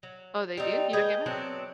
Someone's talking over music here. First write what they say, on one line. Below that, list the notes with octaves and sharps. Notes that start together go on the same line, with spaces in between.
Oh, they do? You don't get mad?
F#3
G3 C4 D#4
G#4 B4 D#5 G5
F#3 B3 C4 D4